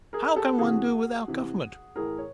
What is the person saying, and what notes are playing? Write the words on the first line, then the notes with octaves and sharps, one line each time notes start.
How can one do without government?
G#4 A#4
G4 A4
C3 E3 F#4 G#4
C3 E3
A2 E3 G#4 A#4
C#5